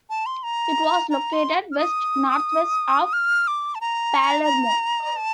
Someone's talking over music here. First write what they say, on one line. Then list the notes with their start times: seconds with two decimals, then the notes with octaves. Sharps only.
It was located west-northwest of Palermo.
0.10 A5
0.26 C6
0.43 A#5
1.10 A#5
1.33 C6
1.72 F6
1.78 D#6
3.13 F6
3.48 D6
3.75 A5
3.81 A#5
5.16 A5